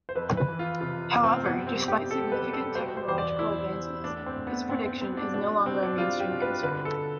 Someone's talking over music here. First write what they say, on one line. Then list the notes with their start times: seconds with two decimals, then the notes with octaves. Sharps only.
However, despite significant technological advances, this prediction is no longer a mainstream concern.
0.09 C5
0.15 F2 B4
0.37 B4
0.48 E3
0.59 F4
0.80 C3 F4
1.13 F2
1.24 C4
1.45 G3 B3
1.67 C4
1.78 G3
1.88 G4
2.11 G3 A4
2.32 B4
2.43 G3
2.53 A4
2.75 B2 C5
2.97 C5
3.07 E2 C5
3.18 D5
3.39 E2 E4
3.72 E2
4.04 A2 D4
4.26 C4
4.36 A2
4.47 B3
4.68 A2 C4
4.86 C4
5.01 G3 C4
5.17 D4
5.34 B2 D4
5.66 B2 C4
5.83 D4
5.98 G3 F4
6.20 G4
6.31 B2
6.42 B4
6.63 D3 B4
6.85 A4